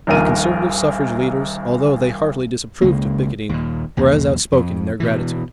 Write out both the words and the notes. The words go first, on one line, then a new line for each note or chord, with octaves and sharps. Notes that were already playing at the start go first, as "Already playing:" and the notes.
The conservative suffrage leaders, although they heartily disapproved of , picketing, were as outspoken in their gratitude.
D#1 A#1 D#2 A#4 D#7
C#2 C#3 G#3 A#3
D#2 A#2
B1 E2 A#3
F2
B2 E3